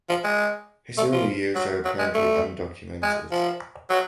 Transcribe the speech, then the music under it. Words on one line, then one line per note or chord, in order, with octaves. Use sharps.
His early years are apparently undocumented.
F3
G#3
A3
F3
F#3
F#3
G#3
A3
G#3
F3
F#3